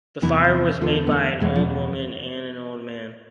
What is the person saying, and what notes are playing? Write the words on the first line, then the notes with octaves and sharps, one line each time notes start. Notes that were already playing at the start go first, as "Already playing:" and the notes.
The fire was made by an old woman and an old man.
E2 C3 E3 E4
E2 D3 F4
B3
A3
E2 B2 G#3
F3